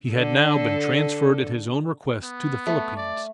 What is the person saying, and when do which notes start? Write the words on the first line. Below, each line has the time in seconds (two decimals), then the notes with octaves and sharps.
He had now been transferred at his own request to the Philippines.
0.10 D3 A4
2.23 B3
2.67 A3
2.97 D5